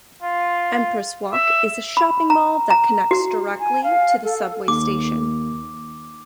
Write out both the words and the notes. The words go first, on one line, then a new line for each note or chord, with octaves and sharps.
Empress Walk is a shopping mall that connects directly to the subway station.
F4
E5
B5
A#5
A#5
F#4
G#5
F5
A4
D#2 D6